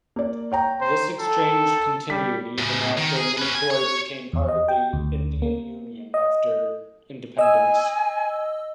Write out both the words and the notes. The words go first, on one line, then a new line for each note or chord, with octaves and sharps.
This exchange continued even after Minicoy became part of the Indian Union after independence.
A#3 D5
C#5 G5 A#5
C5
A4
G3 B6
A2 C#3
D#3
G#4
C#4 B4
G#5
C#5
E2
D#5
G5
D2
A#3
D#5
D#5 G#5 E6